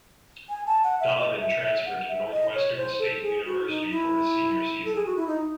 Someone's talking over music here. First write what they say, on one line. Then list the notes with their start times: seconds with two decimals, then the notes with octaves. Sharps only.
Donovan transferred to Northwestern State University for his senior season.
0.49 G#5
0.66 A5
0.84 F#5
1.00 E5
1.18 D#5
1.40 E5
1.62 E5
1.85 F#5
2.08 E5
2.31 D#5
2.54 C#5
2.76 C5
2.99 A4
3.22 G#4
3.45 F#4
3.67 D#4
3.91 E4
4.85 A4
4.95 G#4
5.06 F#4
5.16 E4
5.27 D#4